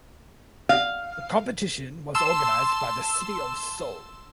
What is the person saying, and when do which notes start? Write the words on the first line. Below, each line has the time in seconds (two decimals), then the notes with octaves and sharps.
The competition was organized by the city of Seoul.
0.69 F5
2.15 A5 C6 E6 E7